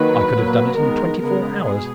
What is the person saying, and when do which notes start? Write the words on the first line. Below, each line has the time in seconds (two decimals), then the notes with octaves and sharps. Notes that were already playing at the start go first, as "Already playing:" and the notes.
I could have done it in twenty-four hours.
Already playing: D#3 F#3 A#3 B4
0.34 A#2 F#3 A#3
0.77 D#3 G#3 B3 A#4
1.20 C#3 G#3 B3 A#4
1.63 B2 G#4